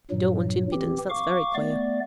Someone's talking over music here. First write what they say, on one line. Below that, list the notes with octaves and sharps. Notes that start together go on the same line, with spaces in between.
You don't want impudence, that's very clear.'
G2 A#2 F#3
E3 C4 G4
F5 C#6 D6
A3 B3 D5